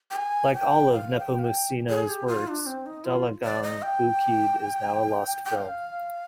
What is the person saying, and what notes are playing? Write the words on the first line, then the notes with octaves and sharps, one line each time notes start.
Like all of Nepomuceno's works, "Dalagang Bukid" is now a lost film.
G5
G#5
G5
F5
G5
F5
G5
G#4
G4
F4
D4
C4
D#4
F4
D5
D#5
G5
G5
F5